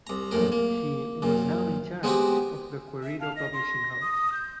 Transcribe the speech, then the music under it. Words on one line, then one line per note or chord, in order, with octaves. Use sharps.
She "was now in charge" of the Querido publishing house.
C2 A#5
A#1 F#2 A2 A#4
A#3
F#2 A#2
G#3 B3 C4 F#4 G4
E5
F5 A5
D#5 A#6
C6
D#6
G6